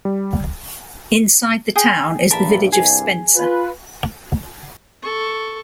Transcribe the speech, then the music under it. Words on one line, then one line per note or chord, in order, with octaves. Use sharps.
Inside the town is the Village of Spencer.
G3
G#4 G5 D#6
A#1 E2 G2 A#4 A5 B5
C2 G2 G#4
F4 B4
A4 C#6